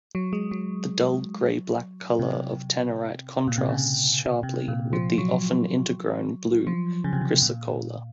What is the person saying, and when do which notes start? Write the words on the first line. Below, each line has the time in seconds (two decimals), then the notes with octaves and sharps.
The dull grey-black color of tenorite contrasts sharply with the often intergrown blue chrysocolla.
0.15 F#3
0.33 G#3
0.51 F#3
2.19 C3
3.48 A#2
3.58 C3
3.69 C#3
4.43 C3
4.68 A#2
4.93 F3
5.18 F#3
6.67 F3
7.04 C#3
7.13 C3
7.21 C#3
7.42 A#2